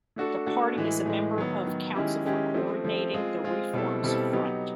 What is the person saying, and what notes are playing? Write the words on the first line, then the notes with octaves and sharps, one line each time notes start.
The party is a member of Council for coordinating the Reforms Front.
A3 D4 F#4 A4
A3 D4 F#4 A4
A2 E3 G#3
A2 E3 G#3
D#3 F#3 B3
D#3 F#3 B3
D#3 G#3 C#4 E4 G4
D#3 G#3 C#4 E4 G4
F3 A3 C4
F3 A3 C4
G#3 C4 F4 G#4
G#3 C4 F4 G#4
B2 G3 C4 E4 A4
B2 G3 C4 E4 A4
F#3 B3 D#4 G4